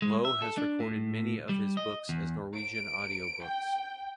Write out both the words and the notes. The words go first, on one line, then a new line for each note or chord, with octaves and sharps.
Loe has recorded many of his books as Norwegian audiobooks.
G#3
E5
A4
D4
A2
G3
D#5
E2
D7
G5